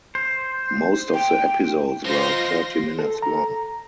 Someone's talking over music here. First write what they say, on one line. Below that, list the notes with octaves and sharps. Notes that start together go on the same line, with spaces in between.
Most of the episodes were thirty minutes long.
C5
G5
F3 D#4 F4 C5 C6 A#6
A4
A#5